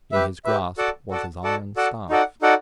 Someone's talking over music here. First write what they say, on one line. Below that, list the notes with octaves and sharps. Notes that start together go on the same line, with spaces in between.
In his grasp was his iron staff.
G4 B4 E5
G4 B4 E5
F#4 A4 D5 F#5 A5
F#4 A4 D5 F#5 A5
F#4 A4 D5 F#5 A5
F#4 A4 D5 F#5 A5
D#4 F#4 A4 D5 F#5
D#4 F#4 A4 D5 F#5